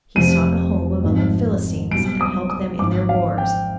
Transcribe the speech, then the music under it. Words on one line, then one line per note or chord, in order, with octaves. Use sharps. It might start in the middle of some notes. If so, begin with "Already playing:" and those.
He sought a home among the Philistines and helped them in their wars.
F1 F2 C3 F3 D#7
G#1 G#2 F3
B1 B2 G3 D7
D#6
D#6
G#1 G#2 F3 D6
F5
G5